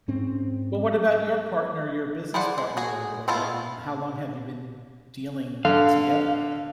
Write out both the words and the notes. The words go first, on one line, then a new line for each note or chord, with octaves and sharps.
Well, what about your partner, your business partner, or whatever, um, how long have you been dealing together?
G#2 C4 C#4
E4 G#4 C5 D5 F#5
G#3
F#4 G#4
G#3 A3 B3 E4 F4
D3 F5